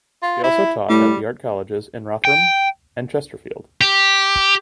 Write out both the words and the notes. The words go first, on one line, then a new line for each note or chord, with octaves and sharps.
She also taught at the art colleges in Rotherham and Chesterfield.
F4
E4
A2 G3
G5
G4